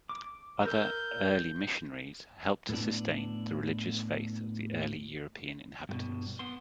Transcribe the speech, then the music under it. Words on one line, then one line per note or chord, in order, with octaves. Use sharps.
Other early missionaries helped to sustain the religious faith of the early European inhabitants.
D6
A#4 E6 G6
A2 B3 D4
G2 B2
B3 C6